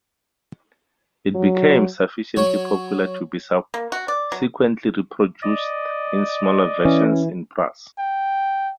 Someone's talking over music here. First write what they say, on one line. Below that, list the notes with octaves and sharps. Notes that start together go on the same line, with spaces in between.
It became sufficiently popular to be subsequently reproduced in smaller versions in brass.
F#3
F#3 C#5
A#3
F#4
D5
F#3
D5 D#5
E3 C#4
G5